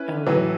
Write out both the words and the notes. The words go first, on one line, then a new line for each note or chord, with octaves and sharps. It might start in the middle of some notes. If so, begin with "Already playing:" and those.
Oh ye
Already playing: C#4 E4 B4
A2 E3 F#3 B3